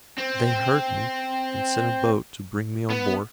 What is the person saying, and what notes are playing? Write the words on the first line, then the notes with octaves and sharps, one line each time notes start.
They heard me, and sent a boat to bring me on board.
C4
B3